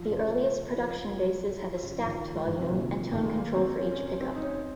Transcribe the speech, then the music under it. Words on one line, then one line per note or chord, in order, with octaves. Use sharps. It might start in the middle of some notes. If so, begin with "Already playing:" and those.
The earliest production basses had a 'stacked' volume and tone control for each pickup.
Already playing: F3
C#3
F3
F3
C#3
F3
D#3
G#3
D#3
C3
A#2
C3
C3
D#3
G#3
A#3
C4
C#4
C#4
C#4
C4
D#4
C#4